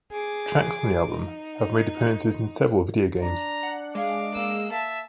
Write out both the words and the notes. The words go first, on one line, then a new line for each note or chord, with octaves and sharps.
Tracks from the album have made appearances in several video games.
G#4 D6
D#4
D4 A#5
F#5
G#3 F5 D6
A#3 E6
E5 A5